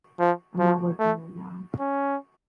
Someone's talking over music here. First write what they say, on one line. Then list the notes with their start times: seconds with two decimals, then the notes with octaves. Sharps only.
I’m not working right now.
0.19 F3
0.59 F3
0.99 A3
1.80 C#4